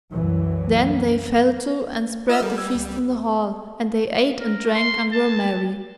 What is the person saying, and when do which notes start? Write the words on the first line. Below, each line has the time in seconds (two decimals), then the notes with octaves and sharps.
Then they fell to and spread the feast in the hall; and they ate and drank and were merry.
0.11 C2 F#2 E3 F#3
2.30 F4 D#5 E5 E6 F6
2.42 G3 A4 A#4
2.58 E6 G#6
2.75 C#2
4.40 A#4
4.75 C6
5.12 A5